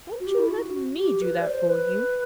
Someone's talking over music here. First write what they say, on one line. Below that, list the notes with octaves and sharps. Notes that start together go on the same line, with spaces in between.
Won't you let me do that for you?
F#4
G4
E4
F#4
F#4
G4
B4
D5
C5
B4